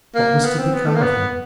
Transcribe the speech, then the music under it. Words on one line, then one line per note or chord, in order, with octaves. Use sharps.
What was to become of him?
A#3
B3
C4
B3
A3
A#3
B3